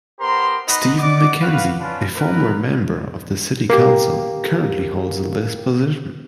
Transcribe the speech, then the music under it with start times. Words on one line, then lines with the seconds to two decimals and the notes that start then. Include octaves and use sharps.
Steven Mackenzie, a former member of the city council, currently holds this position.
0.20 B3 G4 A#4 C5 A#5 C6
0.67 B3 D#4 F#4 B4 D#5 B5
0.99 D5 D#5 F#5 D6
1.41 F#4 B4 F5
1.80 C#4 D4 F4 B4
2.15 A#4 B4
3.69 A#3 G4